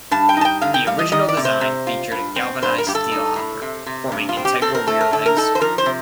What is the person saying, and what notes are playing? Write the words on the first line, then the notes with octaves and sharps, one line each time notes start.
The original design featured a galvanised steel hopper, forming integral rear legs.
G2 A5
G5
D#4 A5
G5
D3 F5
G5
G3 F5
D#5
D#3 D#5
D5
C3
C5
C3
F4
G2
C4
G2 C5
A#4
G2 G4
A4
D#4
A2
C3
C3
G2
F4
C4
G4
C4 A4
A#4
A3 A4
A#4
D3 A4
A#4
D#4 A4
C5
F3 A#4
C5
C3